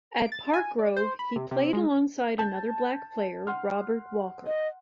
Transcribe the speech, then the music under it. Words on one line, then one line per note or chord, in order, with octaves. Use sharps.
At Parkgrove he played alongside another black player, Robert Walker.
D7
A6
G#5
D5
C5
B5
C3
C3
G#3
A5 G6
F#5 C6 F6
D#5